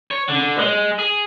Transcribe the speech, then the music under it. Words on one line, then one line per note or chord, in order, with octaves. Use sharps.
Hmm, right.
C#5
D3
G#3
G#4